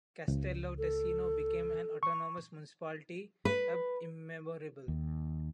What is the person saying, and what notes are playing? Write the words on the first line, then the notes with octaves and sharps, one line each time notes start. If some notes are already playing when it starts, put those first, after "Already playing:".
Castello Tesino became an autonomous municipality “ab immemorabili”.
C#2
A4
C#6
B4
D#2